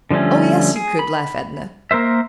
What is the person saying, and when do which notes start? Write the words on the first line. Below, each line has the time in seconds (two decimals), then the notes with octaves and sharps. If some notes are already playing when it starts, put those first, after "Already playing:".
"Oh, yes you could!" laughed Edna.
0.11 D3 F3 G3 A3 C#4
0.76 G#4
0.99 B5
1.91 A#3 A#4 C5 E5